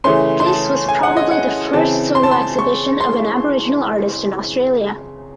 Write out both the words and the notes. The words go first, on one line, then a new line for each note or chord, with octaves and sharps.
This was probably the first solo exhibition of an Aboriginal artist in Australia.
C#3 E3 A3 C#4 C6
C6
A5
G#5
F#5
D#5
F#5
C#3 E3 C4 A5
C6
A5
C6
C#6
C6